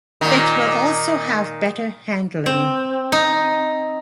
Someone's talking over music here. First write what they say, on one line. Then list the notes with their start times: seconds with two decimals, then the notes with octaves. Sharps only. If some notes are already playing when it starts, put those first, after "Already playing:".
It will also have better handling.
0.21 A#2 D#3
2.46 C4
3.12 D#4